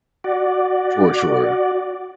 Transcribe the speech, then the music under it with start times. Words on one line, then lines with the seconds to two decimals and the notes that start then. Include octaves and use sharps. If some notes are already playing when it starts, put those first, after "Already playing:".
Sure, sure.
0.24 F#4 D5